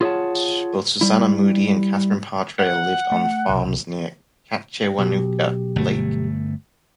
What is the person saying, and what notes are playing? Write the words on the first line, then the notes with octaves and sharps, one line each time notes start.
Both Susanna Moodie and Catharine Parr Traill lived on farms near Katchewanooka Lake.
F4 G#4 C#5 F5 F#5 A5
G3 E4
F#5
A3
C2 B2
B2 F#3 G4
G1 A3